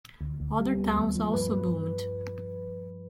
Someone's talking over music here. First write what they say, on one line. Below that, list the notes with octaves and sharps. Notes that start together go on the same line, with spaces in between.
Other towns also boomed.
D2
D2
G3
B3
D#2
F3
G2 B4
G2